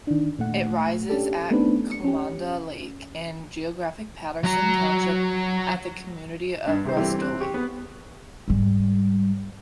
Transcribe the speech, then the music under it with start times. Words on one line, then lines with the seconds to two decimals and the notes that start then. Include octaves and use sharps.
It rises at Commanda Lake in geographic Patterson Township at the community of Restoule.
0.07 D#3 D4
0.39 A#2 A3 F#5
1.09 C#4 D4 G4 A4
1.51 A3 B3 C4 D4 D#4 B4
1.92 C#7
2.04 C#4 G4
4.43 F#3 A#5
6.66 G2 D4
6.85 C3 G4 C5
6.97 E3 G3 A3 C4 G4
7.19 C4 F#6
7.41 G4 C#6
7.54 B3
8.48 G#2 G3